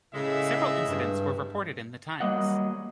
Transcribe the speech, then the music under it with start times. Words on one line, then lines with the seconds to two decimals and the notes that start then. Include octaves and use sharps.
Several incidents were reported in "The Times".
0.14 A2 C#3 G#3 E5
0.88 G2
2.20 F#3 G3 A#3 D#5 F#5